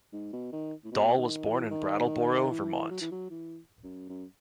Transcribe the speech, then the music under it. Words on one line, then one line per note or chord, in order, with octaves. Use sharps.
Dahl was born in Brattleboro, Vermont.
G#2
B2
D#3
A2
B2
D#3
E3
D#3
E3
F#3
E3
F#3
E3
F#2
F#2